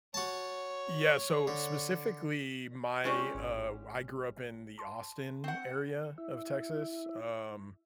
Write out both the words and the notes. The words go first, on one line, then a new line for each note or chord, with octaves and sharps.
Yeah. So, specifically, my, uh, w I grew up in the Austin area of Texas, um,
F#4 C#5 A5
D3
G#3 C#4 F4 G4 G#4 D5
G#1
A5 C6
C4 F#5
E4 E5